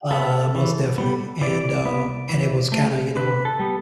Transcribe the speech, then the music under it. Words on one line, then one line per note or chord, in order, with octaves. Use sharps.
uh, most definitely and, uh and it was kinda, you know,
B3 A4
E3
G3 B3
E3 D5
B3
E3
A3
D3 B4
A4
G3 B3